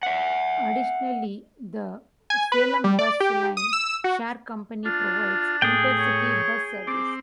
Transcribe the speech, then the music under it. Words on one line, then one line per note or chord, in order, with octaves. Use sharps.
Additionally, the Selam Bus Line Share Company provides inter-city bus service.
E5 F#5
G#5
B4
G3
D5
G4
D#6
E6
F#4
D4 F4
A2 G#4 G5
C#5
C4 D6